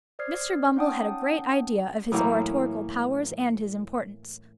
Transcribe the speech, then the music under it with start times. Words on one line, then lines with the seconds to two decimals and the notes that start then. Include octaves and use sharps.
Mr. Bumble had a great idea of his oratorical powers and his importance.
0.19 C5 D5 D#6 F6 G#6 C7
0.76 C#4 D#4 F#5 G5 A5 D#6
2.12 A2 E3 F#3 A#3